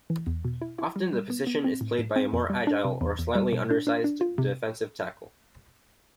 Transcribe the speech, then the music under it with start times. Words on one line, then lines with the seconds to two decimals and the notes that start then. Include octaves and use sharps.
Often, the position is played by a more agile or slightly undersized defensive tackle.
0.10 E3
0.27 E2
0.45 B2
0.62 E4
0.79 E4
0.96 G3
1.13 G3
1.30 B3
1.47 B3
1.64 C4
1.81 A2
1.98 A2
2.16 C4
2.33 F2
2.50 G3
2.67 D4
2.84 C3
3.01 E2
3.19 E2
3.35 G3
3.53 B2
3.70 D4
3.87 D4
4.04 D4
4.21 F4
4.38 C3